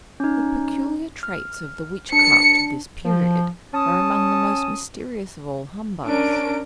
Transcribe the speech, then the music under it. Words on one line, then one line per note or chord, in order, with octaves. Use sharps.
The peculiar traits of the witchcraft of this period are among the most mysterious of all humbugs.
C#4 D#4
F6
D4 C#7
F3
C#4 A5 D#6
C#4 D4 A#4 D7